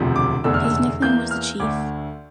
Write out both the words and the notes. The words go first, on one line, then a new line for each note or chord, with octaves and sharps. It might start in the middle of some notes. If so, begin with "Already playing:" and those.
His nickname was "the Chief".
Already playing: E1 D2 C3 F3
D6
F1 E2 D3 A3 E6
F6
E6
E2 E3 A#3 G6
F6
D2 D3 A3 D6